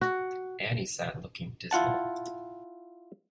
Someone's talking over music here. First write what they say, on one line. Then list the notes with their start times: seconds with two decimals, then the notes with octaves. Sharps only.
Annie sat looking dismal.
0.01 F#4
1.71 E4 F4 F#5 A5